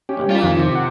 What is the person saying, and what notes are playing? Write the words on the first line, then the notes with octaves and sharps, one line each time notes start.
I'm not
C#4 G4
F4 A#4
F2 D#3
C3
F#5